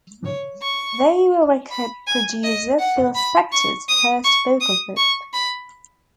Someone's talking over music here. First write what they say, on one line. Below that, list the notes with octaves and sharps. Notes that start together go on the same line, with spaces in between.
They were record producer Phil Spector's first vocal group.
C#5
C#6
B5
G#5
D#5
F#5
B5
C#6
D#6
C#6
D#6
C#6
B5